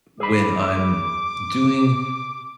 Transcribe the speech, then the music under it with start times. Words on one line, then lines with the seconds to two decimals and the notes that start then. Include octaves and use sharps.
when I'm doing
0.20 G#4 B5 D6